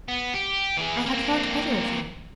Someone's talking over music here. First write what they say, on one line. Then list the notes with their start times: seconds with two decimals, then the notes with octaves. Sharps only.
"I had thought better of you."
0.08 B3
0.34 G4
0.77 E3 G#4
1.06 A#3 C4